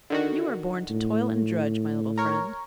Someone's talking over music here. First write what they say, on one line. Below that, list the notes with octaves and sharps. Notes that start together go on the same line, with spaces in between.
You are born to toil and drudge, my little friend.
D3 D#3 F#4
A2
A#4 C#5